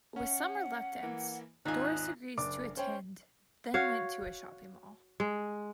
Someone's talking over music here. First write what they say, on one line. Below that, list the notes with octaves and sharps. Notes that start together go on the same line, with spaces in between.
With some reluctance, Doris agrees to attend then went to a shopping mall.
C#4 F#5
E3 A#3
G#1 D#2 D#4 F4 G#5 F#6
F#1 D4 D6
C#4 C5 C#5 G5
F#4 C#5 F5
G#3